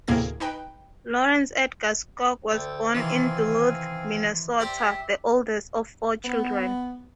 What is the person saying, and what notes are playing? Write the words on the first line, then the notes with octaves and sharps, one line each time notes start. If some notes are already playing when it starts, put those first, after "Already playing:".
Laurence Edgar Skog was born in Duluth, Minnesota, the oldest of four children.
D2 A2 C3 A#3 G#4 G#6
D#4 B4 G5
D2 A4 G5
C3 D#3 E3 C4 F5 G#5
G4 C5 D5 E5 A#5
B3